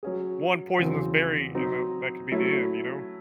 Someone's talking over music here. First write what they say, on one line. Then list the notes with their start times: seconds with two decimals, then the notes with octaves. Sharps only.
one poisonous berry, and tha that could be the end, you know?
0.03 F#3 C#4 G#4
0.79 E2 C#3 F#3 C4
1.55 F#3 C4 D#4
2.31 F#3 A3 C#4 E4